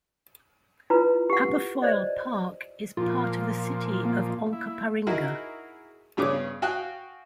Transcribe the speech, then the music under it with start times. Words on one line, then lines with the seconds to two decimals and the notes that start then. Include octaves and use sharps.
Aberfoyle Park is part of the City of Onkaparinga.
0.90 E4 F4 B4 A#5
1.30 G4 F#5
1.82 C5 D5 D#5
2.97 A#2 F3 F4
4.05 A#3
4.53 E4
5.07 D#4 E4 F#4 G#4 A#4
6.17 G2 C#3 B3 C#5 D6
6.62 F#4 F5 G5 G#5 D#6 F#6